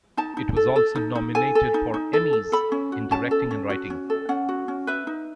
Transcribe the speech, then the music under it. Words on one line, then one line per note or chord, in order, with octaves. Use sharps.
It was also nominated for Emmys in Directing and Writing.
D#4 A5
D#4
A4
A4
D#4
D#4
A4 G#5
A4
D#4
D#4
A4
A4
A4 B5
C#4
F#4
C#4 A5
A4
C#4
F#4
C#4
A4
C#4 F#5
F#4
C#4
B4 E5
D#4